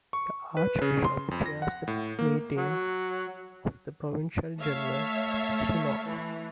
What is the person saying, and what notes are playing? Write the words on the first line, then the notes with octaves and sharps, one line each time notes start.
The Archbishop chairs the meeting of the Provincial General Synod.
C#6
B4
C#3
C6
F2
A#6
F#5
A2
A#3
F#3
A3 C#5 E5 F5
E3